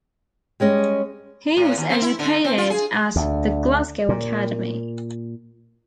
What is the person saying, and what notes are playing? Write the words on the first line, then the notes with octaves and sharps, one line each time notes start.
He was educated at The Glasgow Academy.
G3 G#3 C#4 D#5
A2
D#2
C4
E4
D3
C4
F4
G#4
D2
A#2